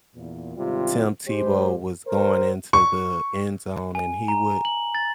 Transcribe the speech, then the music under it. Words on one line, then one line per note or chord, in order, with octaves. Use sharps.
Tim Tebow was going into the end zone, and he would
E2 A#2
G#1 C#2 C3 G3 F4
G#3 G4 C5
A#4 C5
C#6
G#5
A#5
F#7
A6